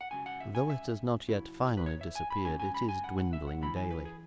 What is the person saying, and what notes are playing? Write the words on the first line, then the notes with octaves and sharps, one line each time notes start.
Though it has not yet finally disappeared, it is dwindling daily.
F#5
C#2 C#3 F#3 G#5
F#5
E5
G#5
E5
C#3 F#3 E4
B4
C#5
E5
G#5
B5
C#2 B2 F#3 C#4 G#5
G#5
B5
G#5
F#5
F#5
E5
F#5
F#2 E3 B3 E4 B5
G#5
B4
G#4